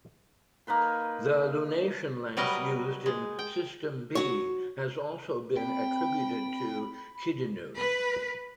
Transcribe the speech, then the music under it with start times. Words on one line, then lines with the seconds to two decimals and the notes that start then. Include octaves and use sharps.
The lunation length used in System B has also been attributed to Kidinnu.
0.67 A#3 D#4 B4 C6
2.37 F#3 G3 A#4 B4 D#5
3.06 G#3
3.39 G5
4.15 F#4 C#5
5.57 C4 G5 B5
7.76 B4